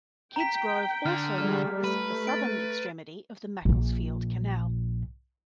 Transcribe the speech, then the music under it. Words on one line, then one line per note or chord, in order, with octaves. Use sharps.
Kidsgrove also marks the southern extremity of the Macclesfield Canal.
G5 A#5 B6
D3 F6
G3 G#3 F6
A3 B4
A6 D7
A#1 A#2